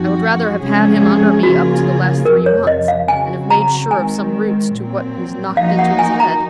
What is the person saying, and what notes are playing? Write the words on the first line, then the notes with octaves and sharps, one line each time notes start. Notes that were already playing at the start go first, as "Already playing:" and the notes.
I would rather have had him under me up to the last three months, and have made sure of some roots to what is knocked into his head.
Already playing: F#2 F3 C4 D#4 F#4
C3 F3 G#3 C#4 G#4
C#3 F3 A#3 F4 F#4 G#4
F2 C3 F3 A#4
C#5
D#5
F5
C#3 F#3 C4 F#4 G#5
A#5
D#3 G#3 C4 G#5
A#2 F#3 C4
F3 A#3 D#4 F#4 F5
F#5
G#5
A#5